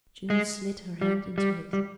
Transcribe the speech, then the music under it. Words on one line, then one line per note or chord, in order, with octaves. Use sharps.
June slid her hand into his.
G#3
G3
G3
G3